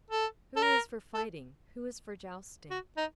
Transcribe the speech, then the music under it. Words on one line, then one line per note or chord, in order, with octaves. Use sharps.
Who is for fighting, who is for jousting?
A4
A4
A#4
A4
F#4
D#4